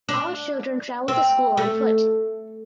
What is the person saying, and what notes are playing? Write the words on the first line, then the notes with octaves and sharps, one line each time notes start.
All children travel to school on foot.
D4
C4
A3